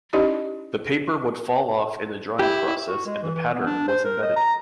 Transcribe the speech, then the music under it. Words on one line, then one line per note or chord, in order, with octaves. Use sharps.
The paper would fall off in the drying process and the pattern was embedded.
C#4 D#4 E4 G4 D5 D#5
E4 G4
F#4
G#3
E3
E3
B3
D4
C5
A#4
D#5
A#5